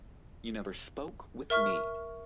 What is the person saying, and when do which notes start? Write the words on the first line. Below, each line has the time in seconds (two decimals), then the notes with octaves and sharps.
You never spoke with me.
1.50 A#4 E5 C#6 F6